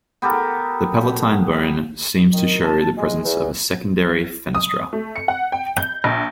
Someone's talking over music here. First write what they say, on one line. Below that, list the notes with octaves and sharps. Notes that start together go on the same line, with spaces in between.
The palatine bone seems to show the presence of a secondary fenestra.
B3 G4 A4 A#4
D#3
A5
G#3
E2
D#6
A3
C#7
F#5
G5
G6
A#1